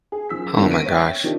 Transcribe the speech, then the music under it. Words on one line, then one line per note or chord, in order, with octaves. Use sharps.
Oh my gosh.
G#4
F#1 F3 E6 B6
G2 D3 A#3 B3 E4
A#6 B6 D7 D#7
C#5 E5 G5
D#3 F3 D4 G4